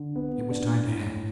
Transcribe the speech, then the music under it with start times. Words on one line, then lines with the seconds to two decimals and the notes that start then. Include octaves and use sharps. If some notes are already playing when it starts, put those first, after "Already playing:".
It was time to act.
Already playing: D3
0.16 B3
0.51 D4
0.87 A2